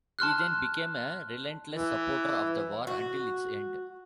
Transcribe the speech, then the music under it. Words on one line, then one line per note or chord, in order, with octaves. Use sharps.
He then became a relentless supporter of the war until its end.
A5 C6 F6 F#6
E3
F#4